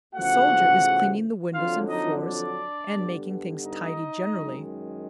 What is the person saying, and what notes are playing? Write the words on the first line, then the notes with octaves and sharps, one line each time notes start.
A soldier is cleaning the windows and floors, and making things tidy generally.
E2 C#3 F3 A3 F#4 F#5
F2 D3 F#3 F4 F5
D#4 D#5
D4 D5
G2 D3 G3 B3
D#4 D#5
F#2 D#3 G#3